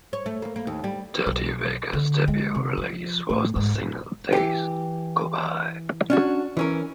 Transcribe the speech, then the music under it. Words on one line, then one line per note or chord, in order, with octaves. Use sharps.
Dirty Vegas' debut release was the single Days Go By.
C#5
A3
A#3
A#3
D#2
G3
B1
D3
G#3
C3
F3
A2
G#2
B2
E3 G4
C#4 D4 F#4
E3 C#4 A#4